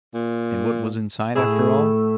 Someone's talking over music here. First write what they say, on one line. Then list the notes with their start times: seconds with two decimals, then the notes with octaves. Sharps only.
And what was inside after all?
0.14 A#2
1.36 A2 A3 E4 G#4 E5